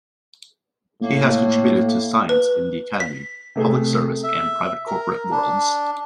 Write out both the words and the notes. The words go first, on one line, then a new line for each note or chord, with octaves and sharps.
He has contributed to science in the academic, public service, and private corporate worlds.
A2 A#3
B4
B6
C3 A3 G#4
E5
A#4
D4